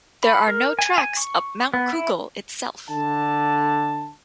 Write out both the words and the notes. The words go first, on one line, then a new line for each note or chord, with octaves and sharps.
There are no tracks up Mount Cougal itself.
B5
A#4
G#5
G#5
C#6
B3
E4
D3 A5